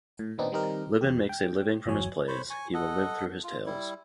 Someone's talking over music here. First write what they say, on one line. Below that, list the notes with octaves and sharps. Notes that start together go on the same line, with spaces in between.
Libin makes his living from his plays; he will live through his tales.
A2
A#2 D#3 B3 C4 D4 D#4
D#3 G3 C4 D#4 G4 A#4
E2 G4
G5
G1 E2 F#3 C#5 G#5
C5 C#5 B5
G#5 C#6
A4 D#5 F#5
F4
G3 E4